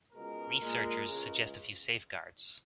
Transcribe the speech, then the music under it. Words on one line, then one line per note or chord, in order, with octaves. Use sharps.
Researchers suggest a few safeguards.
C#2 B2 G#3 A#4
A#2 G#3
C#2 C#3 G#3